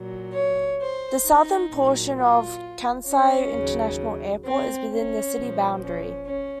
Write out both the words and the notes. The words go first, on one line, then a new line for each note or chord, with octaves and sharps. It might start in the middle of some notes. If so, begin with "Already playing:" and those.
The southern portion of Kansai International Airport is within the city boundary.
Already playing: A#2 F#3
C#5
C5
D#4
A#2 F#3
F4
C#4
D#2 C#3 F#3
C4
C#4
A#2 F3
C#4
C#4